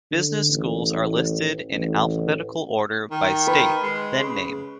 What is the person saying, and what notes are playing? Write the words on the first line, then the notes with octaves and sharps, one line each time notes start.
Business schools are listed in alphabetical order by state, then name.
D3
A1
A1
D#3
B4
G#3
C#3